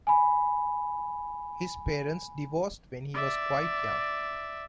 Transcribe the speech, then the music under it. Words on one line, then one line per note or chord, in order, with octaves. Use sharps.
His parents divorced when he was quite young.
G#5 B5
D5 E5